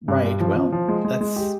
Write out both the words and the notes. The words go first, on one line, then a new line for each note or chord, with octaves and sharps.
Right. Well, that's
G2
G2
F3
F3
F3
G#3
G#3
G#3
G4